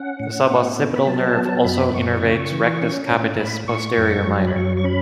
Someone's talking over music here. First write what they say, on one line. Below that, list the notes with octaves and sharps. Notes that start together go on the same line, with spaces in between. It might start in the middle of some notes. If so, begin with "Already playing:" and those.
The suboccipital nerve also innervates rectus capitis posterior minor.
Already playing: C#4 F#5
A2
B3
B3
B5
F#3 A5
A5
B3
A5
F#2 B5
B5
F#2 C#6
C#3
E3
C#4
A2
A2 B5
A2 C#6
F#2
F#3
B5
F#2 C#6
C#6
C#4 B5